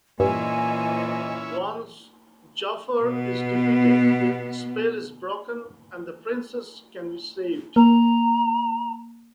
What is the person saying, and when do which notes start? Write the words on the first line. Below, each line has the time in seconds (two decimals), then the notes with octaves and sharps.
Once Jaffar is defeated, his spell is broken and the Princess can be saved.
0.20 G2 A#2 E3 C#4 E4 C5 D#5 G#5
3.02 B2 B3
7.76 A#3 A#5